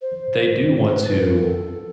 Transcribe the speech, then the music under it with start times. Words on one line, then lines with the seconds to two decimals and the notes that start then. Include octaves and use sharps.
they do want to
0.02 C5
0.88 C5
0.95 B4
1.18 A#4
1.42 A4